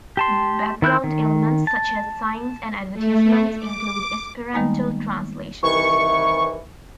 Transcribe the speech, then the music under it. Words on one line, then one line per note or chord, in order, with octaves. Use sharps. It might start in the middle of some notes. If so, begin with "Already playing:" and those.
Background elements such as signs and advertisements include Esperanto translations.
G4 A5 C6
D#3 E4 F#6 G6
D#3
A5
A3
D6
D#3 G3 G#3 A#3 B3 D#4
C2 D#3 E3 C#6